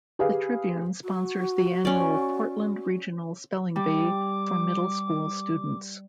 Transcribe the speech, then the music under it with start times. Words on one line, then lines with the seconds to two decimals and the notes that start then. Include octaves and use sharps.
The "Tribune" sponsors the annual Portland Regional Spelling Bee for middle school students.
0.19 G4 G#4 B4 F5
1.04 F#4
1.85 C#4 D5
3.76 G3 D6